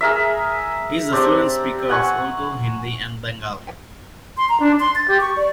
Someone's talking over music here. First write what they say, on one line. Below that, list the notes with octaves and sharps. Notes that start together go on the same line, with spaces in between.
He is a fluent speaker of Urdu, Hindi, and Bengali.
G#4 A#4 E5
C4 D4 G4
F#5 G#5 C#6
C6
A#5
D4
C6
A6
G4
C#6
D5